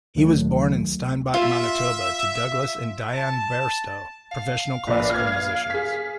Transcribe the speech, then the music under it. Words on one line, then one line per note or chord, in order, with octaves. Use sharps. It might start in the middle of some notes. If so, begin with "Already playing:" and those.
He was born in Steinbach, Manitoba, to Douglas and Diane Bairstow, professional classical musicians.
D2 D#3 F#3 A3
F4 E5
A5
F5
A#1 B4 D5
F6 G#6
G#4 B6